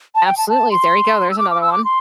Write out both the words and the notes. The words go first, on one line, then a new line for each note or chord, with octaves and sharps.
absolutely, there you go. There's another one,
A5
G5
A5
A5
C6
E6
D6
D6
E6
D6
C6